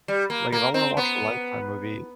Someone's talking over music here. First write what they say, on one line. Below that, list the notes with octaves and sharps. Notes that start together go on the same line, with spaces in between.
Like, if I wanna watch a Lifetime movie,
G3
A#3
A#3
C4
B3